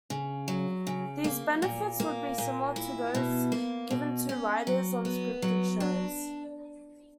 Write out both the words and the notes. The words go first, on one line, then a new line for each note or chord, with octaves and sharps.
These benefits would be similar to those given to writers on scripted shows.
C#3
F#3
C#3
A#3
A#2
A#3
A#2
E4
B2
A#3
B2
C#4
F#3
B3
F#3
D4